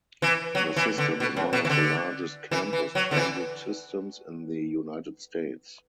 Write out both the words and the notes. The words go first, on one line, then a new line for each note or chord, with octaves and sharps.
The system is one of the largest campus transit systems in the United States.
E3
F#3
E3
D3
B2
F#2
B2
E3
D3
E3
E3
F#3
D3
E3